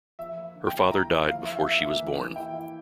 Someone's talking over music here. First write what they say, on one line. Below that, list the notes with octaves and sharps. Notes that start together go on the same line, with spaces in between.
Her father died before she was born.
F3 E5
A#3
D3
G5
E4
E4 A#5
E4
F3 F5
A#3 E5
F5
A#3 E5
E3
E3
E3
E4 G5
E4